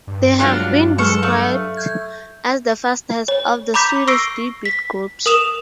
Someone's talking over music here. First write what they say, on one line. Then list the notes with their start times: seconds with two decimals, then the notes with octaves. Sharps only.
They have been described as the fastest of the Swedish D-beat groups.
0.07 G2
0.40 F#3 G#3 D4 F4 F#4
0.98 F#3 G#3 A4 C#6 F6
1.23 A3 F5
1.77 G6 G#6
3.28 C#5
3.74 A#5 B5 D6 G6 B6
4.08 C#6 E6 A#6 C7 D7
4.65 B6
5.26 A#4 D#6 E7 F7